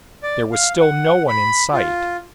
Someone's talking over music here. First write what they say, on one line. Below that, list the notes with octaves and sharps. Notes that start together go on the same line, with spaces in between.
There was still no one in sight.
D5
F5
F#5
B5
F4